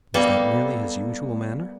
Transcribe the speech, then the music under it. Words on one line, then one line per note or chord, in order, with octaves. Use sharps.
Was that merely his usual manner?
G3 A#3 B3 A4